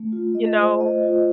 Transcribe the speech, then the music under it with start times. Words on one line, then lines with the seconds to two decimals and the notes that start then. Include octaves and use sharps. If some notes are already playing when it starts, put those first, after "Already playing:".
you know?
Already playing: A3
0.12 F4
0.35 D#5
0.58 C5
0.81 D#5
1.03 F4